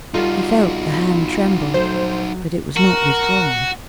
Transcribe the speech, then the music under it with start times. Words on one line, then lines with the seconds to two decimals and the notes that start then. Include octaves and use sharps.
He felt the hand tremble; but it was not withdrawn.
0.14 G3 D#4 F4 F#4 A4
1.74 F#3 A3 C5
2.77 F#4 A#4